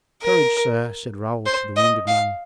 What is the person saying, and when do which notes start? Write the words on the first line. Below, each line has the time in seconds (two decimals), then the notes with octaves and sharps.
"Courage, sir," said Raoul to the wounded man.
0.22 A#4
1.46 C5
1.76 D#5
2.07 F5